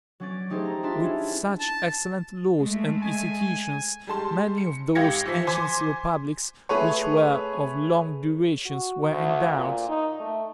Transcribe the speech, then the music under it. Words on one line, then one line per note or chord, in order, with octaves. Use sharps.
With such excellent laws and institutions, many of those ancient republics, which were of long duration, were endowed.
F#3 C#4 D5
A3 D#4 G4 G#4 C5
A#5
D4 F4 G4 E5 A5 C6
C#4 E4
A5
G#3 A3
G#5
G3 G#3 A5 C6
C#7
G#1 G4 F5 G#6 A#6 C#7
E3 F3 B6
C5 G#5 C6 D6 G#6 B6
A3 G#4 B4 C#5
F#4
D2
A#2
D#4
A3